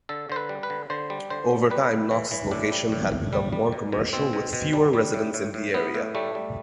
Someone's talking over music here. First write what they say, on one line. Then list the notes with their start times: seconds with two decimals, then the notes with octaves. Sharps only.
Over time, Knox's location had become more commercial with fewer residents in the area.
0.09 D3 A4
0.30 D3 C5
0.36 B4
0.49 G3
0.63 B4
0.70 D3
0.90 D3 C5
1.10 G3
1.30 D3 C5
1.51 G3
1.71 G3 B4
1.91 A2
2.11 E3
2.31 E3
2.51 A2 D4
2.72 G3
2.92 A2
3.12 A2
3.33 G3
3.52 G3
3.72 B2
3.92 B2
4.13 B2 C4
4.33 B2
4.53 B2
4.73 G3
4.93 G3
5.14 A2
5.34 A2
5.54 A2
5.74 A2 B3
5.94 A2
6.15 G3 A3
6.35 G3